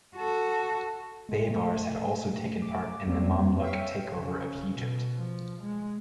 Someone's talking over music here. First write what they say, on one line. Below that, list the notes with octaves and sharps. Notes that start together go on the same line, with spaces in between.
Baibars had also taken part in the Mamluk takeover of Egypt.
F#4 A4
G#3
A3
D6
F2 F#3 G3 A#3 C4
C#5 E5 F5 G5
C#3
B2
F3
G#3